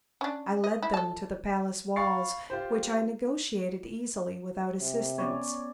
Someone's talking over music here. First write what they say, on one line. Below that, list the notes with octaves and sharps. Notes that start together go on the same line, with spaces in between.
I led them to the palace walls, which I negotiated easily without assistance.
C#4 D4
D#5
E4
A4 A5
F5 B5 C#6 A6 C7
F4 G4 C5
C3
B3 C#4 C#5 D5